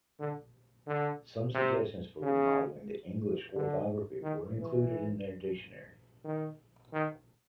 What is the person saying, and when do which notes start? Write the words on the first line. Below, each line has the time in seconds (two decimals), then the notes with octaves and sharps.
Some suggestions for remodeling the English orthography were included in their dictionary.
0.19 D3
0.87 D3
1.54 C3
2.22 C#3
3.56 D3
4.23 D#3
4.57 E3
6.25 D#3
6.93 D#3